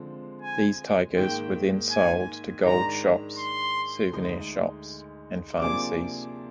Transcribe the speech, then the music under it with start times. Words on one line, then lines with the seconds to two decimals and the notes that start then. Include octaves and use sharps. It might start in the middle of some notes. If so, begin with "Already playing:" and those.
These tigers were then sold to gold shops, souvenir shops, and pharmacies.
Already playing: D3 F3 G#3 C4
0.42 G#5
1.16 G#2 D#3 A#3 G5
1.91 G#5
2.64 G#2 D#3 G#3 D4 A#5
3.38 C6
4.12 D2 D3 G#3 D#4
5.60 C3 F3 A#3 D4 G#4 D6